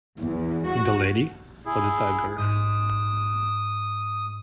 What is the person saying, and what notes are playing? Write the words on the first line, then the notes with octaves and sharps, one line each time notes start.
The Lady, or the Tiger?
E2
F#4
E4 G#4
G#2 D#6 G6 D#7